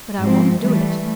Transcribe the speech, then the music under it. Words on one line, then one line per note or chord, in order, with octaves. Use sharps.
But I won't do it!
G#2 F3 C4
E3 G3 A3